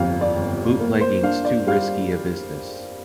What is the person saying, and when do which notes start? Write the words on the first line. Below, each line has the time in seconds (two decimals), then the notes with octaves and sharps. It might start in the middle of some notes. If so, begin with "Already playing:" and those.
Bootlegging's too risky a business.
Already playing: G1 F2 C3 F5
0.21 D5
0.36 G1
0.80 A#3
1.01 C5
1.23 D4 F5
1.45 D5
1.67 G3 F5